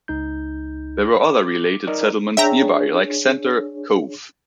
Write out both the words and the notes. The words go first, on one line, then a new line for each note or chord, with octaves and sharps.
There were other related settlements nearby like Centre Cove.
C#2 D#4 G6
D6
D#4 A#4 D5
D4 G#4 C#5 E5 G5 A#5